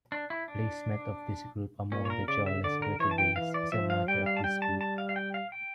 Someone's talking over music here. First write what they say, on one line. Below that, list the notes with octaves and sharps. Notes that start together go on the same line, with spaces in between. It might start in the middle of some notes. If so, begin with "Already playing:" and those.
Placement of this group among the jawless vertebrates is a matter of dispute.
D4
E4
D4
A#2 C#4
C#5
A#4
C#3 D5
E5
D3 D5
A#4
E3 C#5
A5
G5
E3 F5
D5
F3 E5
F5
G3 G5
F5
A5
G3 G5
A5
A5
F5
F5
G5
F5
G5